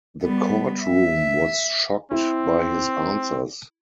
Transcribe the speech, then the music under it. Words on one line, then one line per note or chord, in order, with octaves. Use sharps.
The court room was shocked by his answers.
G3 B3
E5
C4 E4